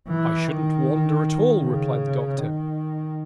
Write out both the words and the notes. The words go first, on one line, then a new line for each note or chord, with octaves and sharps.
'I shouldn't wonder at all,' replied the doctor.
E3
D#3
C#3
D#3